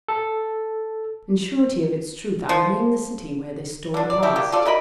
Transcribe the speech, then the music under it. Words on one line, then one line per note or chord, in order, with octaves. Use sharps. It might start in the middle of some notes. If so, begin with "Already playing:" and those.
In surety of its truth I will name the city where this story passed.
A4
F3
D3 D4
D5
A3 E4 G4
A#3 D4 G4
F4 A4 D5
E4 A#4 D#5 B5